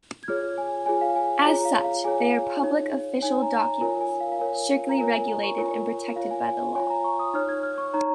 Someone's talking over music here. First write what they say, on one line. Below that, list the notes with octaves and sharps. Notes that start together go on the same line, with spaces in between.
As such, they are Public Official documents, strictly regulated and protected by the law.
G#6
F4 G#4 C#5 F6
G#5
F4 G#4 C#5 G#5
F5
G#5
F4 G#4 C#5 A#5
F5
F5
F4 G#4 C#5 G#5
D#4 C#5
D#4 C#5 G#5
A#5
A#5
F4 A#4 C#5 G#5
G#5
F5
F5
F4 A#4 C#5 G#5
A#5
F4 A#4 C#5 G#5
G#5
A#5
C#6
F4 A#4 C#5 G#5
F4 C#5 F5
G#5
G#5
F4 C#5 G#5
A#5
C#6
D#6
D#4 C#5 F6
G#6
F6
C#6
D#4 C#5 A#5